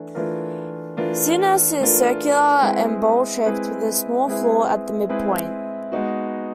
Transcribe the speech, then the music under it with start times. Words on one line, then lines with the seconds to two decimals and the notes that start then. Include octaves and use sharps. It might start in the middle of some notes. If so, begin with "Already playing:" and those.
Sinas is circular and bowl-shaped, with a small floor at the midpoint.
Already playing: E3 A3 D4
0.15 E3 A3 D4 F4 A#4
0.97 E3 A3 D4 F4 A#4
1.80 E3 A3 D4 F4 A#4
2.62 G#3 C4 E4 G#4 B4
3.45 G#3 C4 E4 G#4 B4
4.27 G#3 C4 E4 G#4 B4
5.09 G#3 C4 E4 G#4 B4
5.92 G#3 B3 D#4 F#4